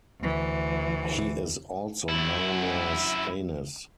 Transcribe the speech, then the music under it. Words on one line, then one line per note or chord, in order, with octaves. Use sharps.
He is also known as Anis.
D2 E3
F#2 E4